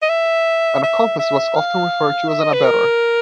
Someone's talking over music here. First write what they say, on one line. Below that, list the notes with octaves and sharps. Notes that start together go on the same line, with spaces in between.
An accomplice was often referred to as an abettor.
D#5
E5
E5
E5
F5
E5
D#5
B4
A#4